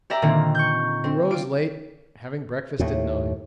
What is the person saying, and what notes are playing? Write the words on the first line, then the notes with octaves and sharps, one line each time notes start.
We rose late, having breakfast at nine.
G4 D5 E5 A#5
A#2 D3 D#3 A#3 C4
C#6 G6
C4
F4 D7
D#2 A2